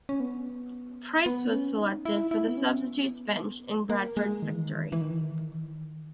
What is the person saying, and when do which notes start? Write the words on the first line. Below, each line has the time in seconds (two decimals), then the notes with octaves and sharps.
Pryce was selected for the substitutes bench in Bradford's victory.
0.09 C#4
0.20 B3
1.26 B3
1.52 C#4
1.78 D#4
2.05 E4
2.31 E4
2.48 B3
2.57 C#4
2.84 B3
3.90 A#3
4.17 G#3
4.42 D#3
4.53 E3
4.62 D#3
4.72 E3
4.82 D#3
4.92 E3
5.01 D#3
5.11 E3
5.21 D#3
5.30 E3
5.41 D#3
5.51 E3
5.60 D#3